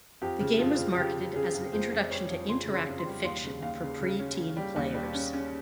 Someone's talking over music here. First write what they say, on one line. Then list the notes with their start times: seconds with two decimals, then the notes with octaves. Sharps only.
The game was marketed as an introduction to interactive fiction for pre-teen players.
0.22 F2 G4
0.40 C#3
0.59 F2 F4
0.78 C#3
0.97 C#3 G4
1.16 C#3
1.36 C#3 G#4
1.54 F2
1.73 F2 C5
1.92 F2
2.11 G3 C#5
2.30 F2
2.48 C#3 C6
2.67 C#3
2.74 C6
2.87 F2
2.99 C6
3.05 G3
3.24 D#2 C6
3.43 C#3
3.62 D#2 F5
3.82 C#3
4.01 C#3
4.19 C#4
4.38 C#4
4.57 G3
4.76 D#2
4.95 G3
5.14 C#4
5.33 C#4